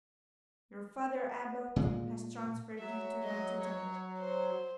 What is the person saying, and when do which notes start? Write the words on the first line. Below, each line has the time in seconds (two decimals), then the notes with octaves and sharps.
Your father-abbot has transferred you to my tutelage.
1.76 A#2 G#3
2.78 F#3 E5
3.23 D#5
3.62 C#5
4.18 C5